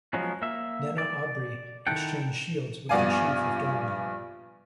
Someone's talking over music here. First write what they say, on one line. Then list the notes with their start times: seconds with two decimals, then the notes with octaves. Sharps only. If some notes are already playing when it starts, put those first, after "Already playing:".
Nana Obiri exchanged shields with the Chief of Dormaa.
0.13 F3 F#3 G#3 B3 C#4
0.42 A#3 E5
0.98 D5
1.87 D#3 E4 A4 F#5 G5
2.89 A#1 G2 B3 D5 F5 G#5